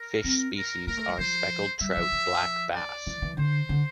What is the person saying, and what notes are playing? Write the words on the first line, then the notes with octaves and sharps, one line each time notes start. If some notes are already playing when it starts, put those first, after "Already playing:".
Fish species are speckled trout, black bass.
Already playing: A#4
C4
A#4
A#3 A#4
A3
G3
F3 C5
G3 E5
F3
F3
D5
E3
E3
D3 C5
D3